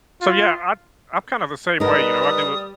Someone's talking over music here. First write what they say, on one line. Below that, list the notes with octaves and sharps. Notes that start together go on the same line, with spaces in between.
So, yeah, I I'm kind of the same way, you know. I do a
F4
G3 D#4 A#4 B4 D#6